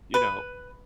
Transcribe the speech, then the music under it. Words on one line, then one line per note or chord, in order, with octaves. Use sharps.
you know,
B4